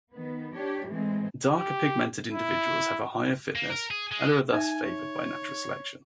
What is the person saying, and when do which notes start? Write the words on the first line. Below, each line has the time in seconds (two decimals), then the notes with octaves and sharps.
Darker pigmented individuals have a higher fitness and are thus favored by natural selection.
0.13 D#3 B3
0.55 D4 G4 C#5
0.87 A2 E3 G#3 C4
1.57 G4
2.33 E4
3.56 A#3
3.70 A#4
3.91 G#4
4.11 G#3
4.53 D#4 E5 G#5
4.84 C#5